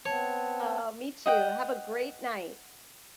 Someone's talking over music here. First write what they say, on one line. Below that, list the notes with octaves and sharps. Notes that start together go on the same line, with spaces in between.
Oh, me too. Have a great night.
B3 C4 C#5 A5
D#5 F#5 G5